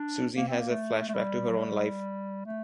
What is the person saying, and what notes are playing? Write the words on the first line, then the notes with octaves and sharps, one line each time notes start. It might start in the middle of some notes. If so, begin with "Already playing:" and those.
Susie has a flashback to her own life.
Already playing: D4
A#3
C4
A#3
A3
A3
G3
F#3
G3
A3